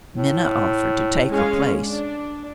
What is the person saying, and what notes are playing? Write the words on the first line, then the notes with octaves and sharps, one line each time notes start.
Minna offered to take her place.
A2
G#3 C#4 F5
D4